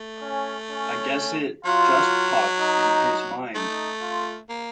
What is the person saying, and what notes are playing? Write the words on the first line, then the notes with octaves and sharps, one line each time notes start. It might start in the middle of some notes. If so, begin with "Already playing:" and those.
I guess it just popped in his mind.
Already playing: A3
C#4
C#4
F#3 F4
D#4
A3 D#4
F4
A#3